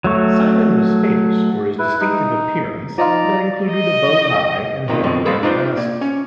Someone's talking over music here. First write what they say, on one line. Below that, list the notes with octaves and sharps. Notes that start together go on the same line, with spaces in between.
Simon was famous for his distinctive appearance that included a bowtie and horn-rimmed glasses.
F#3 A3 C#6
E4 B4
D#4
F3 D#4 F4 D5 A#5
D#5
G2 C3 D#3 A#3 F4
B2 D3 F3 C4
G#4 A4 B4 C5 F5 F#5
D4 D#4 F4 C5 D5
A#3
C#4